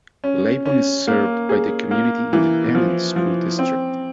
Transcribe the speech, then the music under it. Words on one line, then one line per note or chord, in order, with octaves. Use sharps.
Lavon is served by the Community Independent School District.
C#4
C#4
A#3
G#4
A#3
E3
F3
F3
C4